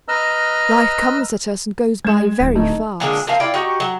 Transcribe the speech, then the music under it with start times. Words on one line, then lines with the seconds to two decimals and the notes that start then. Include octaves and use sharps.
Life comes at us and goes by very fast.
0.08 B4 D#5 A#5 E6 F6
2.05 G#3 G#6 E7
2.39 D1
2.55 A3 D#4 D#5
3.00 A#2 D3 G#3 D4
3.27 A#2 F3 A#4 F5
3.40 E4 F4 D5 G5
3.54 D#4 F#4 G4
3.80 F#3